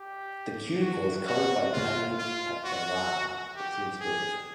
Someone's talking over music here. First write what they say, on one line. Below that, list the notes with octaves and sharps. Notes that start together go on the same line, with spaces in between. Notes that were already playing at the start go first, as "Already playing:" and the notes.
The cuticle is covered by tiny papillae but seems smooth.
Already playing: G4
F#4
F#4
F4
F4
F#4
G4
G#4